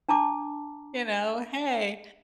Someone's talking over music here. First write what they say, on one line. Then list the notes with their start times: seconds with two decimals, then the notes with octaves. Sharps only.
you know hey,
0.09 D4 A5 A#5 D6